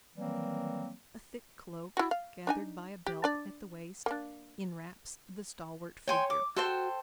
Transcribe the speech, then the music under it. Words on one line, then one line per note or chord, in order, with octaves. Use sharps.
A thick cloak, gathered by a belt at the waist, enwraps the stalwart figure.
D#3 E3 F#3 G3 A#3 C4
E4 F#4
F5
D4 D#4 G#5
G4
D4 D5
A#3 D4
C#5 G5 G#5 C6
D6
F#4 A4 C5 G5